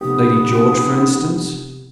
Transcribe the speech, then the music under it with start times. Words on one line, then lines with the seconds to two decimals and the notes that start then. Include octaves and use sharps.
"Lady George for instance."
0.01 F1 C3 B3 G4 D#6